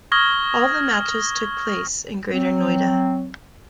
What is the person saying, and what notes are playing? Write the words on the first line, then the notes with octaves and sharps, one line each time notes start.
All the matches took place in Greater Noida.
C#6 D#6 F6 G#6 A#6 G7
F#3 C4